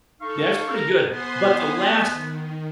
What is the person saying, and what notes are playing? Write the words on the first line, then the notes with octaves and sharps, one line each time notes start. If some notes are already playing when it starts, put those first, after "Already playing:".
Yeah, it's pretty good, but the last
D#4 A4 F5 C#6
A#4
B3 C5 G#5 C6
D#3